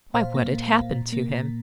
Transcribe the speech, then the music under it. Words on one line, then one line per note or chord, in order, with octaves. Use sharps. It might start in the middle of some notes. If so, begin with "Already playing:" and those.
Why, what had happened to him?
A#2 C5 F5
A#3
A#2
A#3
A#2
A#3
A#2